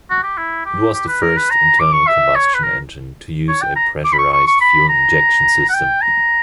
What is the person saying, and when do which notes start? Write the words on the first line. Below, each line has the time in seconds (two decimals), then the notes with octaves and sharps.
It was the first internal combustion engine to use a pressurised fuel injection system.
0.10 F#4
0.23 G4
0.37 E4
0.65 G4
0.94 G4
1.08 B4
1.22 A#4
1.37 B4
1.51 A#5
1.79 D6
1.92 C#6
2.07 E5
2.35 C#5
2.54 B4
2.63 A#4
3.48 C#5
3.62 G5
3.75 A#5
4.04 D6
4.13 B5
4.18 C#6
4.33 C#6
4.47 C#6
4.61 B5
4.88 A#5
5.69 F#5
5.74 G5
6.02 A#5